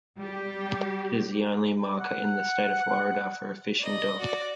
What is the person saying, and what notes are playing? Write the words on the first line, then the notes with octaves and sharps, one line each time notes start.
It is the only marker in the State of Florida for a fishing dock.
G3 G4
F#5
D5 D#5
F#4 D5